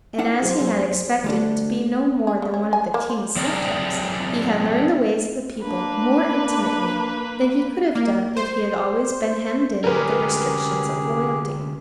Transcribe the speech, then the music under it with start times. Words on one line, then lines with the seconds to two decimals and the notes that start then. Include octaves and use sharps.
And as he had expected to be no more than one of the King's subjects, he had learned the ways of the people more intimately than he could have done if he had always been hemmed in with the restrictions of royalty.
0.18 D4 E4 F#5
0.42 F#2 G#4 C5
0.60 F#2
1.24 D2 G3 A3 D4 A4
2.27 G#4
2.42 C#3
2.54 C#4
2.73 G#5
2.94 A#3
3.10 C5
3.36 F#3 C4 D4 G#4 A#4 D5
5.63 A#3 D4 B4
7.95 A#3
8.37 C5
9.84 D2 C#4 G4 G#4 A#4 B4